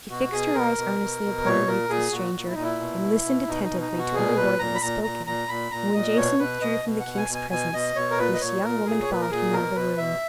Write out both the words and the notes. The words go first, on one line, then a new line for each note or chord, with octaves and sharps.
She fixed her eyes earnestly upon the youthful stranger, and listened attentively to every word that was spoken; and when Jason withdrew from the king's presence, this young woman followed him out of the room.
B2 F#4
B2 G#4
B2 A#4
B2
B2
B2
A#2 C#5
A#2 A#4
A#2 G#4
A#2 F#4
A#2
E4
A#2 D#4
E4
B2
B2
B2
B2 D#4
D#4
B2
D#4
B2
F#4
A#2 G#4
A#2 B4
A#2 A#5
B5
A#2 A#5
A#2 A#5
A#2 A#5
A#2 B5
A#2 A#5
A#2 D#5
B2 C#5
B2 B4
B2 D#5
B2
F#5
B2
G#5
B2
G#5
B2 G#5
B2 D#5
B2 C#5
A#4
A#2 B4
D#5
A#2 C#5
A#2 A#4
A#2 G#4
C#5
A#2 B4
A#4
A#2 G#4
B2 A#4
B2 B4
B2 E5